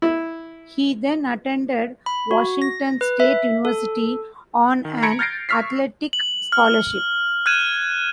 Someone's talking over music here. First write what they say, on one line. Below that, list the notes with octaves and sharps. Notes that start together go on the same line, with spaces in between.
He then attended Washington State University on an athletic scholarship.
E4
B5
F#4
A#6
B4
E5
A4
D#3
A#5 B5 G#6 A#6 C#7 D7
F6 G6 A6 A#6 C7 D7
C#6 E6 F6 B6 C7
F#7
F6
F6 F#6 G#6 D#7 E7